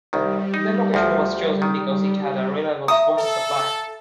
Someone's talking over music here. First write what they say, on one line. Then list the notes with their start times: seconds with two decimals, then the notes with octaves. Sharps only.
The location was chosen because it had a reliable water supply.
0.13 C2 D#3 G3
0.54 D#4
0.94 D2 F3
1.62 D#3
2.88 E5 A#5 D#6
3.17 A4